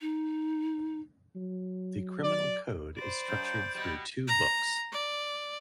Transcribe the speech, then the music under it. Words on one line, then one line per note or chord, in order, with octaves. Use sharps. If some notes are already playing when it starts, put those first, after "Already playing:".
The Criminal Code is structured through two books.
D#4
F#3
D5
C5 D5 B5
F#2 G6
B2 G3 D5
A#5
D5